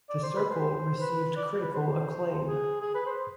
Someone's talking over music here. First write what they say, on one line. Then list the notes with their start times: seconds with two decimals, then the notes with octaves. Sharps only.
"The Circle" received critical acclaim.
0.09 D5
0.23 C5
0.36 B4
0.50 C5
1.00 B4
1.37 D5
1.61 B4
1.74 C5
2.45 G#4
2.81 G#4
2.94 B4
3.06 C5